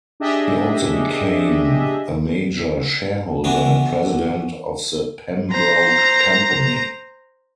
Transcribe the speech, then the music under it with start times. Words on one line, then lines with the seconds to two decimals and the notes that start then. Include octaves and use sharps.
He also became a major shareholder and president of the Pembroke Company.
0.20 D4 G4 G#4 D#5 E5
3.44 D3 E3 B3 D4 F#4
5.51 C5 A#5